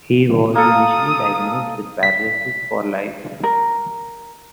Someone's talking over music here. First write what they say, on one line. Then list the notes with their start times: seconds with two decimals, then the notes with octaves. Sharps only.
He was initially diagnosed with paralysis for life.
0.55 A#3 A4 D#6
2.03 B6
3.43 A#4